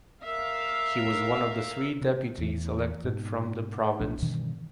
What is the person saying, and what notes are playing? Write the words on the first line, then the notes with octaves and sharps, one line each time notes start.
He was one of three deputies elected from the province.
A#4 E5 F5
C3
E2 E3
G#2 B2
B1 F3 D4
G2 B2 D#3 E3